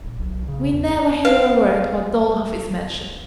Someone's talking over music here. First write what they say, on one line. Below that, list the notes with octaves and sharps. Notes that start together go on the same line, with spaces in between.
We never hear a word but Dolokhov is mentioned.
D#1
B1
C#3
E2
B4 F5